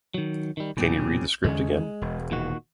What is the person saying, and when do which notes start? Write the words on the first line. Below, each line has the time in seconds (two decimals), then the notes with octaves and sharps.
Can you read the script again?
0.14 D#3 F#3
0.57 D#3 G3
0.77 B1 A#2 C#3 G4
1.44 E2 D3 G#3 C#4
2.02 E1
2.31 A#2 D#3 F#4